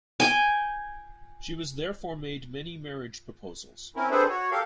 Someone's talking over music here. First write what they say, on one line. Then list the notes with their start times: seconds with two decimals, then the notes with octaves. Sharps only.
She was therefore made many marriage proposals.
0.20 G5 G#5
3.96 C4 C#4 E4 A#4
4.11 C4 D4 G#4 A4 B4 C5
4.29 F#4 C#5
4.51 G4 A4 A#4 F5